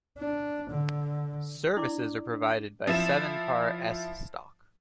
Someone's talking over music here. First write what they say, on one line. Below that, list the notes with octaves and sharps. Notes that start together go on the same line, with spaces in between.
Services are provided by seven-car S Stock.
D4
D3
D4 E4 D5 D6
F3 E4 E7